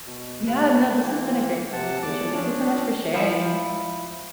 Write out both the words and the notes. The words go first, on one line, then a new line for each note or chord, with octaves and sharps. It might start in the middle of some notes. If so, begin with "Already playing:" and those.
yeah, no, this has been a great conversation, thank you so much for sharing.
B2
C3 B4
E3 A#3 C4
C3 F#5 A5
E2 A5 D6
F3 C#4 D4
F3 E4